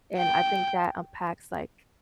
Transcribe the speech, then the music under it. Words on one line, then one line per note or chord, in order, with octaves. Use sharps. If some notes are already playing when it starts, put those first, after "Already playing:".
And I think that unpacks, like,
G5